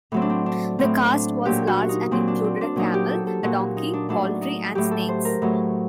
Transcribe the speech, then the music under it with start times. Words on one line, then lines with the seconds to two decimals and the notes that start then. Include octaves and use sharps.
The cast was large and included a camel, a donkey, poultry and snakes.
0.12 A2 F#3 C4
0.22 D4
0.30 C4
0.46 D4
0.79 A2 F#3 C4
1.13 D4
1.45 A#2 F#3 G4
1.67 F#4
1.89 D#4
2.11 A#2 F#3 C4
2.28 D4
2.44 C4
2.61 D4
2.76 A#2 F#3 D#4
2.94 G4
3.11 A4
3.27 A4
3.43 A#2 F#3 F#4
3.59 F#4
3.77 D#4
3.93 D4
4.09 A2 F#3 D4
4.42 D#4
4.75 A2 F#3 G4
4.91 A4
5.08 C5
5.25 A#4
5.42 A2 F#3